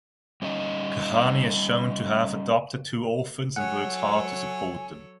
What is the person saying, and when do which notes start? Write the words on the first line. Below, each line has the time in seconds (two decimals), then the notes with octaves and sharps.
Kahani is shown to have adopted two orphans and works hard to support them.
0.42 G3 C#4 D#4 D#5
3.56 F#3 A4 C#5 F#5 G#5